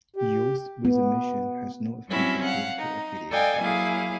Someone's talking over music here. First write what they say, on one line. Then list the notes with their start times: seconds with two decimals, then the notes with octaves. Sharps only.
Youth with A Mission has no official political affiliations.
0.16 G4
0.85 B3
2.07 F#3 G3 C4 C#4 E4 F#4
2.44 F5 F#5
2.77 D#4
3.30 A4 D5 D#5 F5 G5 G#5
3.61 F#3 A#3 E4 G#4 F5